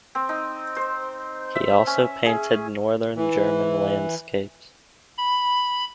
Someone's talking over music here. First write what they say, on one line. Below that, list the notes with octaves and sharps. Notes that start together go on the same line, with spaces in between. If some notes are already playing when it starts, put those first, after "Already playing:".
He also painted northern German landscapes.
C4
D#4
C5
E5
C#4
G#4
E3
B5